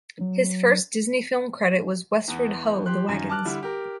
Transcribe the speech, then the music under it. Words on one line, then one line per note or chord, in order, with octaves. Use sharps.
His first Disney film credit was Westward Ho, the Wagons!
F#3
E2 B3
F3 G4 C6 F#6
F#2 D#3
A5 D6 F6 F#6
D3 G3 E4
G4 A#4